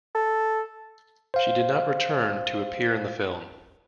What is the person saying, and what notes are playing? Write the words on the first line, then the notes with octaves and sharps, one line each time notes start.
She did not return to appear in the film.
A4
C5 F5